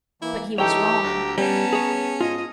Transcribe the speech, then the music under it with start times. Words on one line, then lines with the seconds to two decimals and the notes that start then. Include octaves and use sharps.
But he was wrong.
0.22 E3 A#3 E4
0.58 C#2 E3 D#4 G4 A4 C#5 G5
1.03 D2 A#5
1.38 G3 B3 C#4 A5
1.73 G#4 C#5
2.21 G#2 F4 D#5 D#6